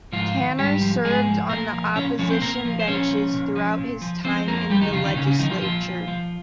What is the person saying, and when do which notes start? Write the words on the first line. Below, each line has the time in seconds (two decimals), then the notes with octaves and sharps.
Tanner served on the opposition benches throughout his time in the legislature.
0.12 G#2 F3 F4
0.35 D#3
0.58 G#2 G3 G4
0.81 F3
1.04 G#2 G#3 G#4
1.27 F3
1.49 A#2 A#3 A#4
1.73 F3
1.96 A#2 C#4 C#5
2.19 F3 C#4 C#5
2.30 C4 C5
2.41 A#2 A#3 A#4
2.65 F3
2.79 C5
2.88 A#2 C#4 C#5
3.11 F3
3.33 A#2
3.56 F3
3.79 A#2
4.02 F3
4.24 F3 C4 C5
4.47 F2 A#3 A#4
4.70 F2 G3 G4
4.82 D#3 D#4
4.93 C#3 F3 F4
5.05 D#3 D#4
5.16 A#2 C#3 C#4
5.27 C#3 C#4
5.39 D#3 F3 D#4
5.50 F3 F4
5.62 A#2 F3 F4
5.85 F3
6.08 F3